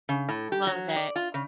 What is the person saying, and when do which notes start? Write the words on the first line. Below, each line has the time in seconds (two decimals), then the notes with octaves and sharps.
Love that.
0.09 C#3
0.29 A2
0.52 G4
0.67 F#3
0.96 D5
1.16 F4
1.34 C#3